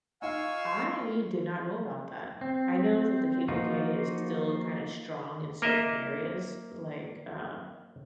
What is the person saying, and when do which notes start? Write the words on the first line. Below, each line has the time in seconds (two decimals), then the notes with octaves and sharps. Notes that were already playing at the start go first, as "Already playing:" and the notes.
I did not know about that. I know that the KKK is still kinda strong in certain areas, like, uh,
0.22 D#4 F4 F5 G#5 C#6 E6
2.41 C4
3.48 F3 A#3 D#4 F4 F#4
5.62 A#3 A#4 D#5 E5